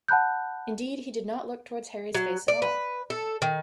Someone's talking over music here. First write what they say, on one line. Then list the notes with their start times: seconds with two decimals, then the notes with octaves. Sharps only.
Indeed, he did not look towards Harry's face at all.
0.08 F#5 A5 B5 F#6 G6
2.15 F#3
2.48 D5
2.62 B4
3.10 A4
3.42 D#3